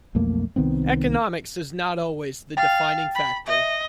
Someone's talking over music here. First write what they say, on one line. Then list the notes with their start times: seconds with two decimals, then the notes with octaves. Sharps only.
Economics is not always the defining factor.
0.15 B1 F2 A3 A#3
0.56 C2 D#3 B3 C4
2.57 F5 G5 A6
3.15 B5
3.47 D#5 E5